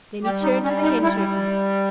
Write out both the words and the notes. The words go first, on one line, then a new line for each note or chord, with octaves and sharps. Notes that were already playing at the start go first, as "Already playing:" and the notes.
Then he turned to the Hen Turkeys.
G3 G4
D#4
G3 C#4
D#4
G3 E4